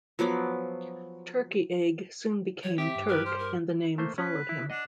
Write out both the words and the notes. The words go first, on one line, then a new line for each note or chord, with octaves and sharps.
"Turkey Egg" soon became "Turk", and the name followed him.
F3 F#3 B3 D6
E3 C#5
C4 G4 E5
G2
A#4 B4
C5 F6
A#4
A3 A#3 C5
C#4 B4
E4
D4 D#5 F#5